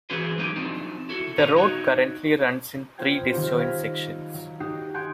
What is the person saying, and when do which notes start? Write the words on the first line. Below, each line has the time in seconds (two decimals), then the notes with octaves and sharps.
The road currently runs in three disjoint sections.
0.10 E3 C#4 F#4 G#4 B4 C5
0.38 F#3 A#3 C#4 D#4 E4 G4
0.56 F3 F#3 C4 D4 D#4
1.09 E4 F#4 A4
1.38 A#2 D#3 C#4 A#5
1.56 D#4 F#4 C#5
2.98 B3 C4 F4 C5 G5 G#6
3.32 D#3 F#3 G3 C4 F4 G4
3.58 F5 B5 G#6 A#6 B6
4.34 F#3
4.60 D#4 F#4 G4 D#6 C7
4.94 G4 F#5 G#5 C6 G6 D7